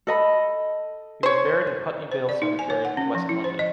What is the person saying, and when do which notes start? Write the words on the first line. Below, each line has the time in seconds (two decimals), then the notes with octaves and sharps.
He was buried in Putney Vale cemetery, West London.
0.07 A4 D#5 B5
1.23 C5 C#5
2.12 C5
2.29 D5
2.42 D#4
2.59 G#5
2.70 C#5
2.85 F#5
2.97 C#4
3.15 F3
3.29 E4
3.44 C5
3.59 D#5